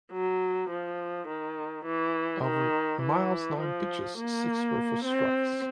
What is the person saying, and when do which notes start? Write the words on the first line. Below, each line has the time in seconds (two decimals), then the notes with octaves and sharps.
Of Miles' nine pitches, six were for strikes.
0.12 F#3
0.70 F3
1.28 D#3
1.86 E3
2.44 D#3
3.02 E3
3.60 F3
4.18 A#3
5.05 C4